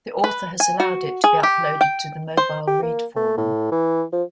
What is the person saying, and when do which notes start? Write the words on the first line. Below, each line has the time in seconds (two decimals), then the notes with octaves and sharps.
The author has allowed it to be uploaded to the MobileRead forum.
0.24 B4
0.60 G#5
0.80 F#4
1.24 G#4
1.43 G4
1.81 G5
2.37 C5
2.67 G4
2.82 A#3
3.16 A3
3.37 A2
3.72 E3
4.12 F3